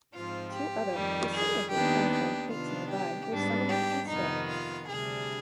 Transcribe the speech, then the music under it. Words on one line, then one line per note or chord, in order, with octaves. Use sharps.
Two other, presumably unclimbed peaks nearby were summited instead.
G#2 F3 C4 F4
G4
F2 D#3 G3
G#4
D#2 D#3 B3 D4 G4
G4
C3 D#3 B3 D4 F4
G4
G#2 G3 B3 D4
G4
F2 C3 D#3 B3 D#4
F4
D2 C3 G3 D4 G#4